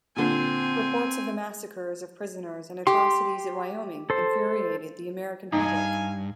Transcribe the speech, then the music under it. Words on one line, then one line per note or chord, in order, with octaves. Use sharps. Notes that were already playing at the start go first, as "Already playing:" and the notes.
Reports of the massacres of prisoners and atrocities at Wyoming infuriated the American public.
A#2 D3 C4 G#5
G4 C6
A4 C5
G2 D#4 F5 G#5